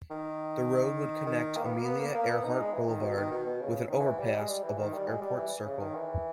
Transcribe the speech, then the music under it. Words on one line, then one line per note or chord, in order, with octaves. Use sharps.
The road would connect Amelia Earhart Boulevard with an overpass above Airport Circle.
D#3
D#3
A#3
B3
A#3
B3
A#3
A#3
B3
D#4
G#3
E3
D#3
B2
D#3
B2
B2
C#3
D#3
E3
G3
G#3
G3
E3
D#3
G3
G#3
G3
E3
C#3
D#3
E3